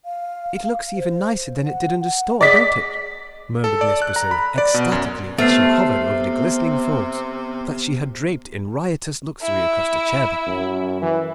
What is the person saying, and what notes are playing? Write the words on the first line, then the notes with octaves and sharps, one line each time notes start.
"It looks even nicer than it did in the store, don't it?" murmured Miss Priscilla, ecstatically, as she hovered over the glistening folds that she had draped in riotous luxury across the chair-back.
F5
C5
F#5
F#5
G#4 D5 D#5 B6
A4
D5
F#6
A#5
B5
D5
B2
F#2
C3 A3 B3 F6 C7
E4
F#2
E3